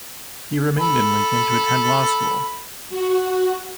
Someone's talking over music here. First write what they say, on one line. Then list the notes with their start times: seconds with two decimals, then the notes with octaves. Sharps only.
He remained in Lincoln to attend law school.
0.79 A4 B5
2.90 F#4